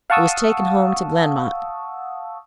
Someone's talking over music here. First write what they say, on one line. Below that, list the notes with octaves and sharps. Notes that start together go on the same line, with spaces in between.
It was taken home to Glenmont.
F5 F#5 A5 C#6 D#6 E6